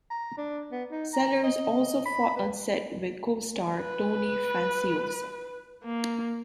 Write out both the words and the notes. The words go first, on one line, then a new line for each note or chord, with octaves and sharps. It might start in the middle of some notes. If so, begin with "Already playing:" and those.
Sellers also fought on set with co-star Tony Franciosa.
A#5
D4
B3
D#4
A#5
D#5
B5
B4
B4
A#3